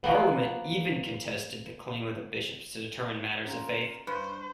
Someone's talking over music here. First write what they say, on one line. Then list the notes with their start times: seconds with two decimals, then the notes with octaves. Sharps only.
Parliament even contested the claim of the bishops to determine matters of faith.
0.04 F3 A#3 B3
3.46 C#4 F4 A#4
4.07 G2 B4 C5